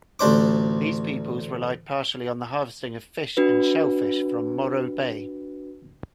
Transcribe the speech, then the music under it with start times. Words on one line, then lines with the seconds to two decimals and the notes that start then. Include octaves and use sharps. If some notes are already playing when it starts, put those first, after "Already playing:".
These peoples relied partially on the harvesting of fish and shellfish from Morro Bay.
0.19 A1 D2 D4 C5 D6
3.37 D4 F#4 B4